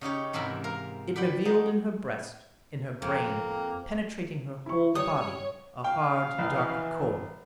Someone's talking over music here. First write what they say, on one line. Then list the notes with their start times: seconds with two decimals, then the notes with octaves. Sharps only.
It revealed in her breast, in her brain--penetrating her whole body--a hard, dark core.
0.01 C#3 D#4 G4 C#5
0.33 G#2 C3 E3 A#4 B5
0.64 A#4 F5
1.16 B4 D5 F#5 G5
1.45 A#3 D#4
3.02 F2 A#3
4.66 E4 C#6
4.95 G3 C#5 D#6
5.84 F5 G5
6.38 A#1 E3